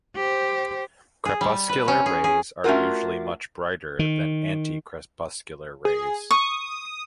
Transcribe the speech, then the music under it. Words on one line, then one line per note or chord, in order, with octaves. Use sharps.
Crepuscular rays are usually much brighter than anticrepuscular rays.
G4 C5
G#4
G3
B4
C#4
G#4
G#4
A3 C#4 D4 F4 F#4 A#4
D#3
G#4
C#6 D#6